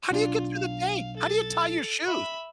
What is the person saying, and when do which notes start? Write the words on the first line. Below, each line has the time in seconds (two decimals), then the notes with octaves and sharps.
“How do you get through the day? How do you tie your shoes?”
0.10 B1 D4 F4
0.55 F5
1.17 A4 A6
2.06 E5 B5